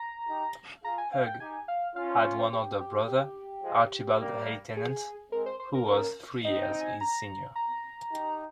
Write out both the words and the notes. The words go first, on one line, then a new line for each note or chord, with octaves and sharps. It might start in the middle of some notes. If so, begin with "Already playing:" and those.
Hugh had one older brother, Archibald Hay Tennent, who was three years his senior.
Already playing: A#5
D#4 G4
F4 G#4 A#5
G#5
F5
G5
D#4 G4 G#5
F5
C#4 F4 F5
C#5
C#5
C5
G4
G4
G4
F3 G#3
G3 A#3
G#4
G#3 C4 A#4
C5
C5
A#4
A#3 C#4 A#4
C4 D#4 D#5
G5
G#5
A#5
A#5
D#4 G4